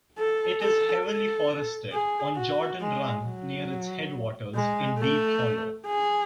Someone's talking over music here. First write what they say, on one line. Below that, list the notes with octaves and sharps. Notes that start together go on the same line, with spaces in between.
It is heavily forested, on Jordan Run near its headwaters, in Deep Hollow.
A4
A4
A4
G#4
F#4
G#3
F#3
G#3
A3
G#4